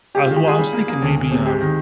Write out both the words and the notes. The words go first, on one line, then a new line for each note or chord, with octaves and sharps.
I well, I was thinking maybe, um,
G#3 G4
D#3 F4
G4
G#3 F4 G#4
G3
A#3
A#3
D2
D2
C3
G#3 G4
D#3